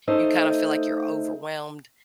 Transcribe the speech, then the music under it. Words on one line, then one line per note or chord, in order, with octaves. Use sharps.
you kind of feel like you're overwhelmed
A3 D#4 A4 C5 D#5